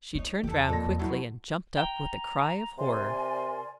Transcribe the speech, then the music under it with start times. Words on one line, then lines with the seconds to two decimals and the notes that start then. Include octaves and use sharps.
She turned round quickly and jumped up with a cry of horror.
0.15 B3 D#4 C#5
0.43 E2 G4 A4
0.69 F2 A#2 A4 A#6
0.99 F3 F#3 G#3 A3 E4
1.77 G5 A#5
2.78 C3 A#4 D5 G#5 C6